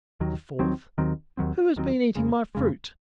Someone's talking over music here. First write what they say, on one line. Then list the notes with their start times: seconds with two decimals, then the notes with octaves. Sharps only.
The fourth, "Who has been eating my fruit?"
0.20 D#2 D#3 F#3
0.59 D#2 D#3 F#3 C4
0.98 D#2 D#3 F#3 C4
1.37 D#2 D#3 F#3 C4
1.76 D#2 D#3 F#3 C4
2.15 F2 C#3 G#3
2.55 F2 C#3 G#3